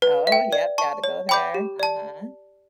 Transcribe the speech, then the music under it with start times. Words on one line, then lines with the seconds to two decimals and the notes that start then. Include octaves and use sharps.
Oh, yep, gotta go there, uh-huh.
0.02 B4
0.27 E5
0.32 G5
0.53 D5
0.78 A5 C#6
1.04 C#5
1.29 G5 B5 D6 G6
1.54 G4
1.79 D5 A5